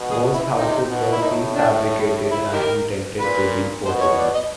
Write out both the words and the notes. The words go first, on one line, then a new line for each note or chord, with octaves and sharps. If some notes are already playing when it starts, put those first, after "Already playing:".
Most houses were prefabricated, and intended to be portable.
Already playing: B2
G#4
E4
C3 D#4
B2
E4
A2 D#4
D4
E4
D#4 G4 A#4
A#2 B4
B2 C5
C#5
D5
D#5